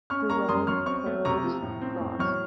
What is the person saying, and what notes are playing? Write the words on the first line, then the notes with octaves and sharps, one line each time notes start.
Jerome, Harold's Cross.
C#4 C#6 F6
A#3 A#5 C#6
F#2 C6 D#6
F#3 C#6 F6
C4 C#6 F6
A3
C3 A#5 C#6
F3
A2
C4
A2
F#3 C#6 F6